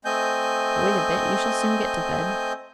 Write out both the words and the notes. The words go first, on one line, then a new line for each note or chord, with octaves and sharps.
Wait a bit, you shall soon get to bed....
A3 C4 D#5 G#5 G6